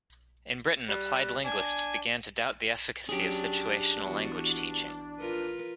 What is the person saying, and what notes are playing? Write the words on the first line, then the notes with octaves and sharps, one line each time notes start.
In Britain, applied linguists began to doubt the efficacy of situational language teaching.
G3 F#6
D4 G#5
F#3 C#4 D4 G4 G#4
E3 B3 F#4
F4 A#4 B4